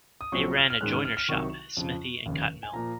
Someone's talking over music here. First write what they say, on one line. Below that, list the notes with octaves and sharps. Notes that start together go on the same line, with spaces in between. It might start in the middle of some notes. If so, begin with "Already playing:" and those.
They ran a joiner's shop, smithy and cotton mill.
D#6
A#1 A#2 F#3 C4 C#6
F6
F6
G#2 D#3 G#3 C#4 F#6
F6
F6
F6
C2 C3 D#3 F#3 C#6
F2 C#3 F3
F1 D#2 C#3
G#5
A#2 F3 A#5